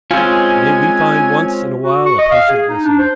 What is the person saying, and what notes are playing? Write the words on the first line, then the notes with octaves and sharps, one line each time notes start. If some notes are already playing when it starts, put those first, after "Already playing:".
May we find once in a while a patient listener.
G#3 C4 C#4 F4 G#5
F#4
C#6
D#5
F5
G#4
D#4
D4
C5